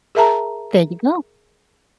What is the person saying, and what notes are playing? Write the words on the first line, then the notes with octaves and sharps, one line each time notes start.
There you go.
G#4 A#4 E5 A5 A#5